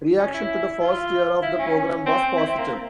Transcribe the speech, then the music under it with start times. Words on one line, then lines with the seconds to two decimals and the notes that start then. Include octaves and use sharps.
Reaction to the first year of the program was positive.
0.19 C#4
0.34 E4
0.81 F4
1.43 E4
1.59 C#4
2.06 C4
2.37 E4
2.46 C4
2.58 A#3